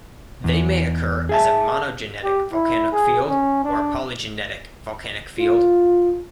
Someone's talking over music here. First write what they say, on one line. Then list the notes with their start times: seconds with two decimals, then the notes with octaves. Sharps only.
They may occur as a monogenetic volcanic field or a polygenetic volcanic field.
0.44 E2
1.29 G#4 E5 A5
2.24 G4
2.53 E4
2.92 G#4
3.27 C#4
3.64 D4
5.37 F4